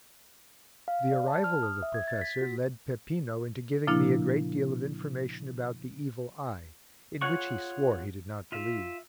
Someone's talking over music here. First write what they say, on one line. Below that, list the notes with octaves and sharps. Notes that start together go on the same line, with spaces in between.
The arrival of the professor led Peppino into giving me a great deal of information about the evil eye in which he swore he did not believe.
F5
D5
A5
F6
D#6
E5
G#6
A6
B6
F#4
A#2 C#3 F3 A#3 D4 E4
F4 G#4 C#5 F#5 C#6
F4 E5